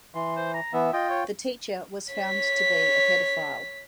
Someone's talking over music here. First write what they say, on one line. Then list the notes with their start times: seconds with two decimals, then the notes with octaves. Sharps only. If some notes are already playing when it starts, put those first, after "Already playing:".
The teacher was found to be a paedophile.
0.15 E3 C6
0.37 C5
0.54 A#5
0.73 E3 B3 E5
0.93 F4 D#5 G5
1.09 C#5
2.13 C#5 B6